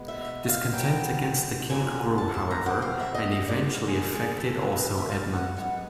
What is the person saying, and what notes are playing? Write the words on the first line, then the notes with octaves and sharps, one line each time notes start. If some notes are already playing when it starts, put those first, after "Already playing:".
Discontent against the king grew, however, and eventually affected also Edmund.
Already playing: B2 G#3 B3
E5
E5
F5
A2 F#3 B3 G5
F2 D3 F#3 A#3 G#5
A5
A5
A#5
G2 E3 G3 C4 F#5
F5
E5
D#5
D#5
D5
D#2 D3 F3
G#4
G#4
A4
A#2 F#3 B3 B4
E5
D#5
E5
F5
F#5
B2 G#3 B3 F#5